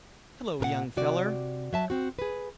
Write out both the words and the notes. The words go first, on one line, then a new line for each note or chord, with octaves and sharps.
"Hello, young feller."
A#2 A#4 F#5
C3 F#4 D5
F#3 E5 A5
C4 F#4
G#4 B4